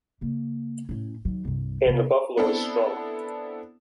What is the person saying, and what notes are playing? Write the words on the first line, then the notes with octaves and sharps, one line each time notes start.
And the buffalo is strong.
C#3 A#3
A2 C#4
D#3 F#3
C2 G2
C3 B3
B3 C4 D4 E4 A4